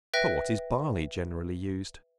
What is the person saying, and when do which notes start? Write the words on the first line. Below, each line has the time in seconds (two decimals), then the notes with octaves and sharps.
For what is Barley generally used?
0.14 B4 E5 G5 F#6 A#6